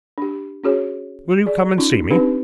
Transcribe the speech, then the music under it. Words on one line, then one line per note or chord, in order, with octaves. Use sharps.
Will you come and see me?'
D4 G4
C#4 F#4 G#4 C#5
G#4 D5
C#4 D#4 F4
C4 D4 D#4 G4 B4